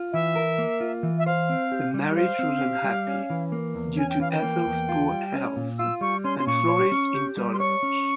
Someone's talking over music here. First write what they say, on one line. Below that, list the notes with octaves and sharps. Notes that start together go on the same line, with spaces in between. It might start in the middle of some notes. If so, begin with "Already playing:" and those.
The marriage was unhappy, due to Ethel's poor health and Florey's intolerance.
Already playing: F4
E3 E5
A#4
A#3
F4
E3
E5
C5 F5
C4
G4
G3
C5 F5
C4
G4
G3
C#4
E3
A#3
E2
C#4 G#5
G5
E3 F5
G5
A#3
E2
F4
G3
C#4
A#2
F4 E6
G3 C#6
C#4 C6
C6
A#2 C#6
C#5
C#4
G4
G3
C6
C#5 C#6
C#4